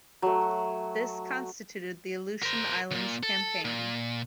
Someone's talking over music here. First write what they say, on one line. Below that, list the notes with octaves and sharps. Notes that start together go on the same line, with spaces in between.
This constituted the Aleutian Islands campaign.
F#3 A3
A#4 C5
D2 A#2
A4
A#2